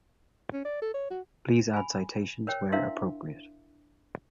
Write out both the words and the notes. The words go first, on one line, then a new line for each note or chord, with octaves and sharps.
Please add citations where appropriate.
C#4
D5
A4
C#5
F#4
G#5 B5
A#4 C5 C#5 G5
D4 E4 A#4 E5 F5 C6